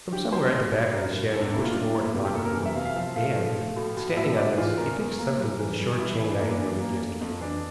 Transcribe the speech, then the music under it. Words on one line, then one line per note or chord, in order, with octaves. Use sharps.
From somewhere at the back of the shed he pushed forward a block of wood, and, standing on this, he fixed something to the short chain I had noted yesterday.
D3 G4
D3 C5
A2 D5
A2 D5
G3 A#4
A2
E2 A4
D4
A#3 E4
F4
G3 D4
A#3 E4
C3 G4
G4
A#3 A4
A#4
E3
E5
C3 F5
F5
F3 E5
A3 F5
F3
A3
A2
A2
A2 E5
A2 D5
E3 F4
E2 A#4
E2
A#3
G3
E3
G3
E3 E4
E3 E4
D4
A#3 E4
D4
E3
A#3
A3
F2
E3 D4